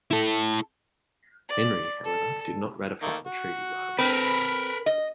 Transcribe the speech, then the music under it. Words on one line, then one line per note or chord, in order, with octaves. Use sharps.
Henry, however, did not ratify the treaty right away.
E4 A4
D5
A4
D#3 A3 A#3
F#4
C4 A#4 B4 B5
D#5